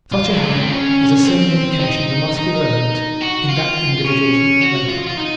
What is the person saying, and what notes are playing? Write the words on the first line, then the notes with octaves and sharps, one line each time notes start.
Such a hand is a certain indication of the muscular element in that individual's makeup.
F4
G#3
A#3
C4
C#4
C4
D#4
D#4
F#4
F4
C#4
F#4
F4
F4
D#4